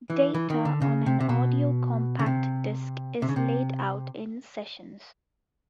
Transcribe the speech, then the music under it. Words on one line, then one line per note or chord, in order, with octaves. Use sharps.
Data on an audio compact disc is laid out in sessions.
E3
E3
D#3
D3
C#3
C3
C3
B2
C#3
C3
C3
C#3
C3